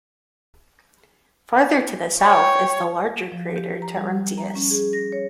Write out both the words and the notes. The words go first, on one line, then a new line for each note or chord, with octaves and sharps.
Farther to the south is the larger crater Taruntius.
C#5 G5
F3
G4
A#5
G3
A#5
C#4
G#4
A#6
C#5